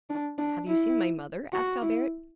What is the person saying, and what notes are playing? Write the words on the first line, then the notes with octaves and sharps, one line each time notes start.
"Have you seen my mother?" asked Albert.
D4
D4
E4
F#4
E4